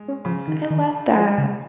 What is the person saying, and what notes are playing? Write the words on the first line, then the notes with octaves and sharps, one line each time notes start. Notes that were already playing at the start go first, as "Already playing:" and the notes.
I love that,
Already playing: G#3
C#4
C#3 F3
D#3
D#3
F3
C#3